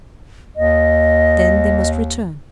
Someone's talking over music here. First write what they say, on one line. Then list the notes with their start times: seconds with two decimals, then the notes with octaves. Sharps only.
Then they must return.
0.56 D#2 D#5